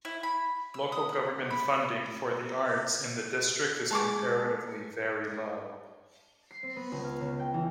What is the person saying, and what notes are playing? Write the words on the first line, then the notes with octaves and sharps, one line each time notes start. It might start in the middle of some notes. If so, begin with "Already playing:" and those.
Local government funding for the arts in the district is comparatively very low.
E4
B5
E6
D#6
F#5
B5
G#3 A5 C6 D6
C7
C4
B3
C#2
F5
C#3
G5
E3